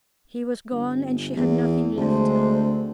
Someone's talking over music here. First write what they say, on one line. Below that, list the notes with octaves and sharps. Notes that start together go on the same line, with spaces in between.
He was gone, and she had nothing left to her.
G1
E2
D2 G#3 C4 D4